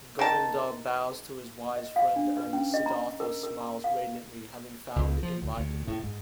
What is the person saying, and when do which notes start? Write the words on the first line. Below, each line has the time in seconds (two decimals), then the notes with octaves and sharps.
Govinda bows to his wise friend and Siddhartha smiles radiantly, having found enlightenment.
0.19 D#3 A5
1.76 D#5
1.96 F5
2.16 D4
2.37 B4
2.53 C#4
2.74 D#5
2.86 A#5
3.20 A#4
3.43 A#4
3.61 A#5
3.84 F5
4.96 C#2
5.23 F3
5.42 D2
5.57 D2
5.87 A2
6.03 G#2